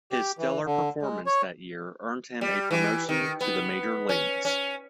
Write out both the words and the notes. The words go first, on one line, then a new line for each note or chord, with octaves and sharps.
His stellar performance that year earned him a promotion to the major leagues.
G4
E3
D3
G#3
C#5
G3
E3
D#3
B3
C#4
C#4